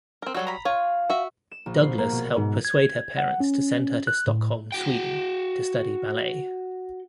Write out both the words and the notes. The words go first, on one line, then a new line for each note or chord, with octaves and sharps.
Douglas helped persuade her parents to send her to Stockholm, Sweden to study ballet.
C4 A#4
F#3 G3 F#4 A4 E6
A#5 B5
F4 C#5
F#4 E5
E7
A#1
C7
A#3
B2
G#2
G#6
F#5
C#4
F#6
A2
F#4 G5